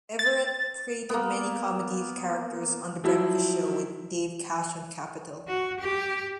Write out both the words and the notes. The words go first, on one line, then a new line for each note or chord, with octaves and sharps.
Everett created many comedy characters on "The Breakfast Show" with Dave Cash on Capital.
A6
A#3 B3
F3 F#3 E4
F#4
G4